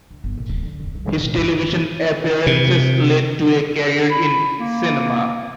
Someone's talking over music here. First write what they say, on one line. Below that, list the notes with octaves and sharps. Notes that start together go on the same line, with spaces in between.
His television appearances led to a career in cinema.
D2
G1
A#2
D1
D3
F2
C2
E4
A#2
G2
C3
B5
A#3